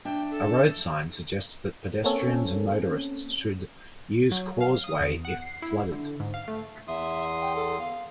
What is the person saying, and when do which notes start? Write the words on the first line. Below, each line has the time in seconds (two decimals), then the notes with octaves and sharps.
A road sign suggests that pedestrians and motorists should "Use causeway if flooded".
0.05 D4 E5 G5
0.31 A4
2.04 A#3 C4 C#4 A4
4.32 F#3
4.61 F5
4.84 D#6
5.00 E2
5.25 F#5
5.42 C7
5.62 E4
5.92 D3
6.20 G#2
6.34 F5
6.48 A3
6.88 E2 E5 C6 D#6
7.42 G5
7.56 A4
7.79 F5